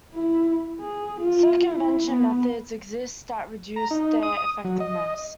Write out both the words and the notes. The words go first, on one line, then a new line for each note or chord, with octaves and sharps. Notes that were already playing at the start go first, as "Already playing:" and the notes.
Circumvention methods exist that reduce their effectiveness.
E4
G#4
F4
E4
B3
A#5
D#4
D#6
F#3
D#5